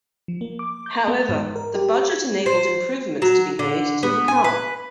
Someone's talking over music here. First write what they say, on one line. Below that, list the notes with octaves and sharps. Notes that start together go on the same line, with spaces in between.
However, the budget enabled improvements to be made to the car.
F3
A#3
D6
G6
B3
G#2
A#4
G4
G#6
C5
F#3
D3
B3
G#5
B4